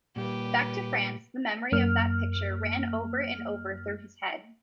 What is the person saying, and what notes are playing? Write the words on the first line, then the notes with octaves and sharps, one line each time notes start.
Back to France, the memory of that picture ran over and over through his head.
A#2 G3 A#3 G4 B4
F#2 A#3 F6